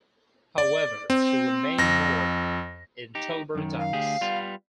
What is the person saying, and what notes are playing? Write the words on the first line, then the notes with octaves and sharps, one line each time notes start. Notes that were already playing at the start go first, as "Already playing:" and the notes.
However, she remained moored in Tilbury Docks.
D5
C4
F2 A#6
D#4 G4
F#2 D#3
F5
D2 G4 G#4
G3 B3 F4